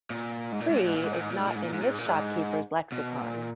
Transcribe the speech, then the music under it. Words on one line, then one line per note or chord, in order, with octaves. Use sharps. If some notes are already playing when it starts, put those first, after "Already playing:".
Free, is not in this shop keepers lexicon.
A#2
G#2
A#2
G#2
A#2
G#2
A#2
G#2
A#2
G#2
A#2
G#2
A#2
G#2
A#2
G#2
A#2
G#2
A#2
G#2
B2
A#2